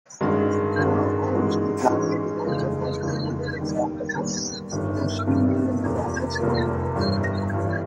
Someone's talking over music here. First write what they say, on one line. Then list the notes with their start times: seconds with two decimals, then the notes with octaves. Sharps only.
The original BlackBerry was the first popular example of push-email in a wireless context.
0.21 G2 D#3 G#3 C#4 F#4
0.77 G2 D#3 G#3 C#4 F#4
1.33 G#2 E3 G#3 C#4 F#4
1.89 G#2 E3 G#3 C#4 F#4
2.46 F1 D#2 C#3 E3 G#3
3.02 F1 D#2 C#3 E3 G#3
3.59 D#2 D#3 G3 B3
4.14 D#2 D#3 G3 B3
4.71 G1 G2 D#3 G3 B3
5.27 G1 G2 D#3 G3 B3
5.83 F1 E2 C3 F3 A#3
6.39 F1 E2 C3 F3 A#3
6.95 G1 G2 E3 G3
7.52 G1 G2 E3 G3